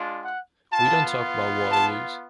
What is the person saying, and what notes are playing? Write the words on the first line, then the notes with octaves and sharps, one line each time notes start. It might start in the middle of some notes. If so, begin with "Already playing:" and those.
We don't talk about Waterloos.
Already playing: G#3 D4 F4
F#5
B3 F4 A5
A5